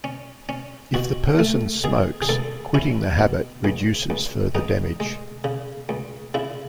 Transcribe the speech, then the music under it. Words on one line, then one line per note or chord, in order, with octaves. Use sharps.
If the person smokes, quitting the habit reduces further damage.
C#4
C#4
B2 F#4
A3
B2 G#4
G#4
C#2 A4
C#4 E4
B2
C#2
C#2
C#2 D#4
G#3
C#3
C#2
C#3 E4